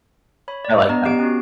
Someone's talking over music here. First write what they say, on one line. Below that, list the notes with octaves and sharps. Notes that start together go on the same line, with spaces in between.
I like that.
C#5 B5
D5
B3 D4 D5 D#5 A#5
B3 G4 D7
C#4 F#4